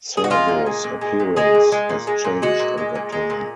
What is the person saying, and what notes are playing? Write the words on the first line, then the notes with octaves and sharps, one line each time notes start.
Servo's appearance has changed over time.
G#4
F#4
G#3 F4
A#2
G#3
A#2
G#3
A#2
G#3 G#4
A#2
G#3
A#2
G#3
A#2
G#3 F#4
A#2
G#3
A#2
G#3
A#2